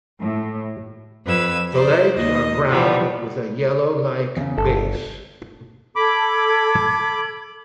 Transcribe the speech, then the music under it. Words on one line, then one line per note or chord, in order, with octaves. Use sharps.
The legs are brown with a yellow like base.
A2
F2 B4 E6 G#6
C5 D5
D#2 D#5
B2 E3 F3 G3 B3
E2 C#3
G1 A4
A4 B5 D6 G#6